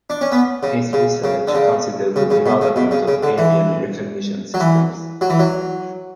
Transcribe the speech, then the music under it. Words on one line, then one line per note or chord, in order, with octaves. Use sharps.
His research considers the development of avian recognition systems.
D4
C#4
B3
C#3
C#3
C#3
D3
C#3
C#3
C#3
B2
C#3
B2
C#3
C#3
D3
E3
F#3
E3
F#3
E3
F#3